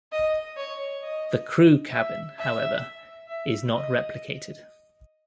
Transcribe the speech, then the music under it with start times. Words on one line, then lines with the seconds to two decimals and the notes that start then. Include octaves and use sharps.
The crew cabin, however, is not replicated.
0.12 D#5
0.57 C#5
1.02 D#5
1.92 E5
2.38 E5
3.28 E5
3.73 D#5